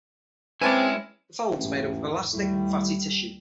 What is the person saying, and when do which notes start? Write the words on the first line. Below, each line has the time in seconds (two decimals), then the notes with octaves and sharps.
The folds are made up of elastic and fatty tissue.
0.62 G#3 C4 C#4 E4 B4 G#5 A5 D6
1.58 A1 E2 G#2
2.33 D#2 A2 G3